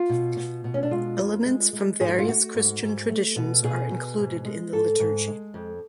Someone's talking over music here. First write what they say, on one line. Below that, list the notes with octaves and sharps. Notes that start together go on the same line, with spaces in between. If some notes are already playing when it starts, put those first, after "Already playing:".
Elements from various Christian traditions are included in the liturgy.
Already playing: F4
B2
B2
B2
C#4
D4
G#3 F4
F2
G#3
G#3
G#2 G#4
F#4
F4
A3 F#4
G#2
G#2
A3
B2
B2 G#4
B2
G#2
G#3
G#2 A4
G#2
G#3
F2